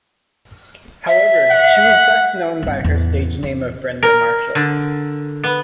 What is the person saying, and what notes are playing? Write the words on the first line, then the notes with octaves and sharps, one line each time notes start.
However, she was best known by her stage name of Brenda Marshall.
E5
F#5
G1 C4
A1 E2
E2 E3
A#4
D3
B3